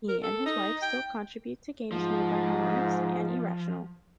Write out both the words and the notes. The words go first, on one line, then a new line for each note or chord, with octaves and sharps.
He and his wife still contribute to games made by Harmonix and Irrational.
A#4
A4
D#4
G5
G#2 F3